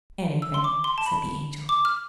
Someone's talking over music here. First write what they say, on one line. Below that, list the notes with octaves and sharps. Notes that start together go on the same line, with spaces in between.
"Anything," said the Angel.
E6
C6
D6
C6
A5
B5
D6
F6